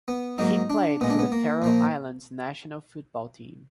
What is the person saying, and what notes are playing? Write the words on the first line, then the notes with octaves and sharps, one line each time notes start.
He played for the Faroe Islands national football team.
B3
G#2 F#3 A#3 D#4
D4
A#2 G#3 B3
D4
B3
A#3
A#2 F3 A#3